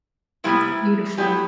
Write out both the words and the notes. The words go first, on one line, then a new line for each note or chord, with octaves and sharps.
It's beautiful.
C3 G3 B3 E4
A2 F#3 B3 G4